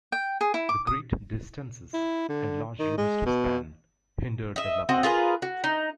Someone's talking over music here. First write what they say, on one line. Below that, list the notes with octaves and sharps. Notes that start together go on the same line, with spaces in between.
The great distances, and large rivers to span, hindered development.
G5
G#4
E4
D6
D#6
E4
D3
D#3
G#3
B2
D#5 E5
C4 F#4 D#5
F4 G#4 A#4 B4
F#4
D#4